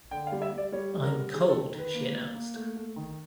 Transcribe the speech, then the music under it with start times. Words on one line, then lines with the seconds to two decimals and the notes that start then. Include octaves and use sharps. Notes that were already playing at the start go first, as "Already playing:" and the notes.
"I'm cold," she announced.
0.11 D3 G5
0.27 F5
0.32 G3
0.42 E5
0.52 G3
0.58 D5
0.72 G3 C#5
0.93 D3
1.03 A#4
1.13 G3
1.34 D#3 G#4
1.49 A4
1.54 D#3
1.74 D#3 B4
1.94 A#3
2.15 A#3
2.35 A#3
2.56 A3
2.76 A3
2.96 D#3